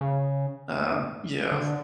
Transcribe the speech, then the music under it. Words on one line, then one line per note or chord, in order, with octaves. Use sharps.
Uh, yeah.
C#3
D3